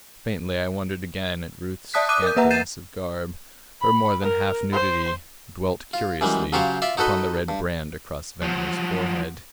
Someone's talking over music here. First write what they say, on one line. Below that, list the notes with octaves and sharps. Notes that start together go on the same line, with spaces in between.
Faintly I wondered again at Ruth's scantiness of garb, her more than half nudity; dwelt curiously upon the red brand across Ventnor's forehead.
D5 E5 A5 D#6 F#6 B6
D6 D#6 F#6 D#7
A#4 G6
A#3 B4 E5 F#5 A#5
G6 A6 C7 D#7 E7
B5
A#4
C5 C6
F4
F#2 E3 G3 G#3
C#3 F#3 F4 G4 C5 C#5
F4 D5 E5 C6
D#4 F#4 A4 B4 D#5
G2
F3 F#3